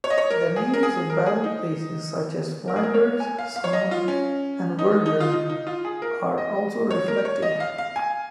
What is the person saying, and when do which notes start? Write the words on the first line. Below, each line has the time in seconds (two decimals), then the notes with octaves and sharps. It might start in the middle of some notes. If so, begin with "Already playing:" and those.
The names of battle places such as Flanders, Somme and Verdun are also reflected.
0.04 C#5
0.10 D#5
0.18 C#5
0.30 A#4
0.56 G#4
0.74 A#4
0.83 G#4
1.10 A#4
1.26 G#4
1.44 D#4
2.68 A#4
2.76 G#4
2.83 A#4
2.94 C#5
3.20 G#5
3.39 F5
3.56 F5
3.64 C#5
3.73 D#5
3.91 F4
4.08 C#4
4.79 D#4
5.06 D#4
5.20 F4
5.31 D#4
5.50 D#4
5.67 F4
5.85 G#4
6.02 A#4
6.38 D#5
6.91 C#5
7.08 A#4
7.25 C#5
7.42 D#5
7.60 F5
7.78 F5
7.96 G#5